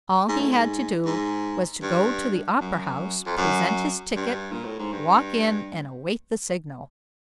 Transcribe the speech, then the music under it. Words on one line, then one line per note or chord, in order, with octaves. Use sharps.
All he had to do was to go to the opera-house, present his ticket, walk in and await the signal.
G#2
A2
G#2
G#2
G2
F#2
F2
F#2
G2
A#2
A2
G#2
G2